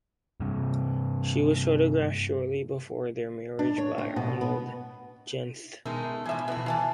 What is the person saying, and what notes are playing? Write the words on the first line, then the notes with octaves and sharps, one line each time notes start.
She was photographed shortly before their marriage by Arnold Genthe.
G2 C3
D4
C#5
C4
B2
B3
B2 G#3 A3 D#4 A#4
A2 E3 F3 E5 G#5
A3 B3 E4 F#4
E3 F5 G#5 A5